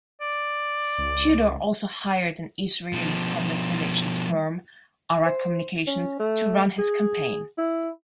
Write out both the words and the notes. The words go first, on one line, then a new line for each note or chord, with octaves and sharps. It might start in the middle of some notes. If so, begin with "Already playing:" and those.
Tudor also hired an Israeli public relations firm, Arad Communications, to run his campaign.
D5
C#2
B2 F3
C5
C#4
A3
G#4
E4